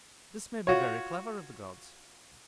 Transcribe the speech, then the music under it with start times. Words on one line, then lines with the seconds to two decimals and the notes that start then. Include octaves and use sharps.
This may be very clever of the gods.
0.67 F4 F#4 C#5